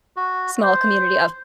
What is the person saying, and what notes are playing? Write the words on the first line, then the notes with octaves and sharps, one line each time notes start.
small community of
F#4
C5